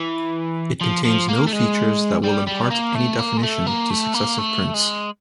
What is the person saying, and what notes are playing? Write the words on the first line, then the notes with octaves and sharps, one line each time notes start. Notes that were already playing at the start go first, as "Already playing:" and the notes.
It contains no features that will impart any definition to successive prints.
Already playing: E3
F3
F3
A#3
A3
G#3
G3
G3
A#3
A3
A#3
G#3
A3
A#3
A3
A#3
A3
G#3